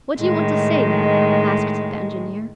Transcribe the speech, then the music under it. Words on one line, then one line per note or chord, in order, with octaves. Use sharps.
"What do you want to say, Neb?" asked the engineer.
A2 D#3 G#3